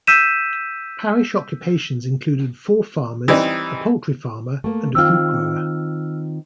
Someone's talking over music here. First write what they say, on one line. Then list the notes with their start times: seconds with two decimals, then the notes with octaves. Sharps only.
Parish occupations included four farmers, a poultry farmer, and a fruit grower.
0.07 E6 G6 B6 D#7 E7
3.28 E3 G3 C4 D#4
4.64 A3 A#3
4.95 D#3 C4 F4 E6 F6